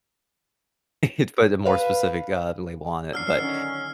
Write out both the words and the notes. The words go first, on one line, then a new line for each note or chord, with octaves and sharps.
to put a more specific, uh, label on it. But
B4 F5
F#3 C#4 D4 E6 F6 C7
D3 D#3 F#3 C#4